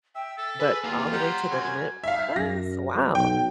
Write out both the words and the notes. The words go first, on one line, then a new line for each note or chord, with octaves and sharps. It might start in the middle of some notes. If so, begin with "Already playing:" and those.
but all the way to the Midwest? Wow.
E5 G5
A4 E6
G#4 B4
E2 A#3 F4 G4 A#5
G4 F#5 A#5 C6
F#2 G#5
E5 F5
F#2 A#6
B1 G5